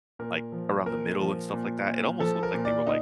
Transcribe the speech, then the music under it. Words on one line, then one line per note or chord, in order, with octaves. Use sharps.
like, around the middle, and stuff like that. It almost looked like they were, like,
A#2 A#4
F3
A#2 A#4
F3
A#2
A#2
F3 A4
A#4
A#2
D5
D#4